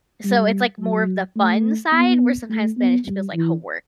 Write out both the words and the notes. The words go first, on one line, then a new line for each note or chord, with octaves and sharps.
so it's, like, more of the fun side where sometimes Spanish feels like homework.
G3
F#3
A3
B3
A3
B3
G3
E3